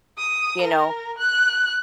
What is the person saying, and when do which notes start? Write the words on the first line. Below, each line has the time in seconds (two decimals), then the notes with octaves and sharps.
You know?
0.18 D#6
0.62 A#4
1.18 F#6